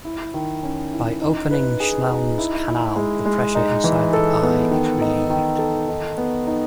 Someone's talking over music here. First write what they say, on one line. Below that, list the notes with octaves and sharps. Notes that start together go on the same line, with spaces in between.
By opening Schlemm's canal, the pressure inside the eye is relieved.
E4
D#3
C#4
E4
D#4
B4
G#4
D#4
E4
E4
G#3
G#3
D#4
E3
A4
B3
D#3
D#4
D#3
A4
D#4
B3
D#4